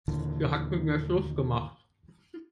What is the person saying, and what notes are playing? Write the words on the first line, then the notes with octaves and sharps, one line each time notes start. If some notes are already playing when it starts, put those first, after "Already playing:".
Sie hat mit mir Schluss gemacht.
D#2 A#2 D3 E3